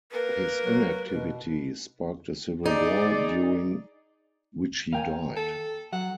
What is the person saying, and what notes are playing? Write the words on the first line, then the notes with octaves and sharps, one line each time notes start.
His inactivity sparked a civil war, during which he died.
A#3 A#4 B4
F#3
B2
D#4 G#4 D5
D#2 E3 A#4 F5 G5 G#5
A4
F#3 F#4 F#5